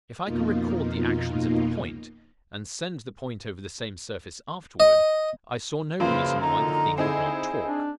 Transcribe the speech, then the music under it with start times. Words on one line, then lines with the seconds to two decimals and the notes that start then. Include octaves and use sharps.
If I could record the actions of the point, and send the point over the same surface afterward, I saw no reason why the thing would not talk.
0.24 F2 B2 A#3 D#4 F4
4.80 D#5
6.00 F#2 C#3 F3 A#3 B4 C5 F5
6.41 D3 D#4 A#5
6.98 C4 D#4 E4 G#4 G#5
7.67 D4